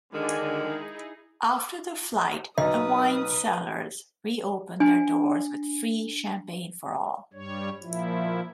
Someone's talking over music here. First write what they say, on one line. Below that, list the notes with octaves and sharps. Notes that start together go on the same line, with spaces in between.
After the flight, the wine cellars reopened their doors with free champagne for all.
D3 D#3 G#3 F#4 G#5
D#4 E4 G#4
B1 B4 D#5 D#6
D4 G#5
G2 G3 C#5
A#2 F3 E4